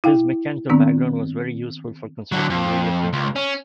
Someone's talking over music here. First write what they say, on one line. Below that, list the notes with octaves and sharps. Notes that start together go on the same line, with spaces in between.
His mechanical background was very useful for constructing various instruments.
E4 F5 G5
D#3 B3 C4 D4
D3 F#3
F2
C#2
C#4